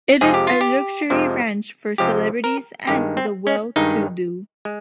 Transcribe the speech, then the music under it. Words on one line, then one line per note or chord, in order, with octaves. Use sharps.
It is a luxury ranch for celebrities and the well-to-do.
F2 C3 F3 G#3 G#4
G4
F4
G4
F2 C3 F3 G#3
F2 C3 F3 G#3 G4
A#4
G2 D#3 G#3 G4
C4
C#4
G2 D#3 G#3 D#4
G#3